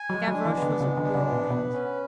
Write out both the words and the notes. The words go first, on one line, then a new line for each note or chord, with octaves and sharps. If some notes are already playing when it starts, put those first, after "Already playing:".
Gavroche was a whirlwind.
Already playing: G#5
F#3 G#3
F#3
D4
E3
B3
D3
C#3 G#3
D3
D4
C#3
B3
B2
B2 B4
C#4